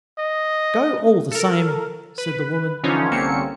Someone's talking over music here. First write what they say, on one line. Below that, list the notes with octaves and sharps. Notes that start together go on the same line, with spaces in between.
"Go, all the same," said the woman.
D#5
A4 A#4
B4
D3 E3 F3 C#4 D#4 F4
C2 D3 A#3 C4 C#4 C#7